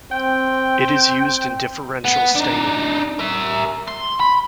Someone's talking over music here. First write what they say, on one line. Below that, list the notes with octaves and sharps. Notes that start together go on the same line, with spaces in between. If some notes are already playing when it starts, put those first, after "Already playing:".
It is used in differential staining.
C4 G5
B3
D4 D#4
A#4 E5
C6
B5